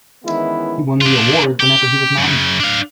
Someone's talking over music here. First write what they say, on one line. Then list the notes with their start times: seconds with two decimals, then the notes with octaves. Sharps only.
He won the Award whenever he was nominated.
0.24 D#3 E3 G#3 B3 C#4 E4
1.01 D4 F4
1.60 G4
2.18 F#2 C#3
2.60 D4 F5